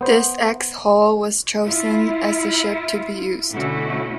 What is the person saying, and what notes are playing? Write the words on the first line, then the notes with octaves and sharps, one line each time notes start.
The ex-"Hoel" was chosen as the ship to be used.
B3 C5
E4 F4
B2 D3 A3 C#4 E4 F#4